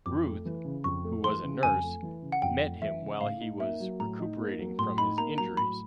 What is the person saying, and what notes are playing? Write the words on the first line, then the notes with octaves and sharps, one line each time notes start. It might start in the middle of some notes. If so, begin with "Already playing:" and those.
Ruth, who was a nurse, met him while he was recuperating from his injuries.
F2 D6
A3
E3
C#3
F2 C#6
A3
E3 C6
C#3
F2 G#5
A3
E3
C#3
F#5
F2 G5
A3
E3 E5
C#3
A2 F5
D#4
A#3 E5
F#3
A2 A#5
D#4
A#3
F#3
A2 C6
D#4 B5
A#3 A#5
F#3 A#5
A2 B5